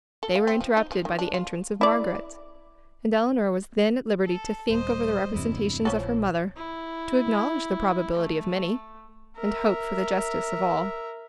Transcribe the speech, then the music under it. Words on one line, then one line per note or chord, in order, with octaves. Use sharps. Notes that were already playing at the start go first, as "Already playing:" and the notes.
They were interrupted by the entrance of Margaret; and Elinor was then at liberty to think over the representations of her mother, to acknowledge the probability of many, and hope for the justice of all.
A4
F5
C4
F3
D#4
F3
D#3
D4
F4
E4 D5
A4
D#1 G3 C5 D#5
E2 G2 C3 E4
A#1 F3 C#4 A4
E4
A3
A#4 E5